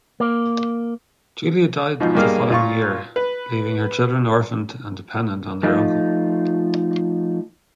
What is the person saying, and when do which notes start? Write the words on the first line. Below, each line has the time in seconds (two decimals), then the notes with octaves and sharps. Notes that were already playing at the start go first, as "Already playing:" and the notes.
Julia died the following year, leaving her children orphaned and dependent on their uncle.
0.20 A#3
2.00 G#2 B2 F3
2.15 G2 B2 A#3 G4 G#4 F6
2.50 A#2 F4 C#6
3.16 B4
5.63 F3 A3 D#4 F4